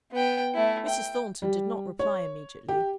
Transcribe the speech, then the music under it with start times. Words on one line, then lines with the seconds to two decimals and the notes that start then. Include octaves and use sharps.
Mrs. Thornton did not reply immediately.
0.12 B3 G5
0.55 A3 E4
0.88 G5
1.42 G3
1.99 C#5
2.69 G4